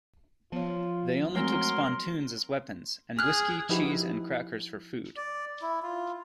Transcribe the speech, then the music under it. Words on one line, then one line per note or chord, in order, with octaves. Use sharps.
They only took spontoons as weapons and whiskey, cheese, and crackers for food.
F3 B3 F4 C#5
F#3 G#3 A3 C4 A#4 C6
G#4 F6 F#6
F3 D#4 E4 F#4 G4 B4
D5
E4
F4